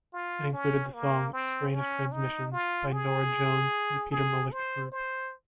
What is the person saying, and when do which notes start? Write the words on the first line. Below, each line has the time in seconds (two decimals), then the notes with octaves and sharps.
It included the song "Strange Transmissions" by Norah Jones and The Peter Malick Group.
0.13 F4
0.53 C#4
0.93 A#3
1.33 C4
1.73 C#4
2.12 D#4
2.52 F4
2.92 G#4
4.12 G#4
4.52 C5
4.92 C5